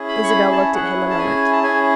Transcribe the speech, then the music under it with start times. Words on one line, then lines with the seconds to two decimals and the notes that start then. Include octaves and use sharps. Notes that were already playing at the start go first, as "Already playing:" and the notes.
Isabel looked at him a moment.
Already playing: C#4 E4 G#4
0.08 B5
0.24 C#6
0.30 B5
0.52 A5
0.74 C#4 E4 G#4 F#5
1.10 A5
1.19 G#5
1.53 A5
1.63 C#4 E4 G#4 G#5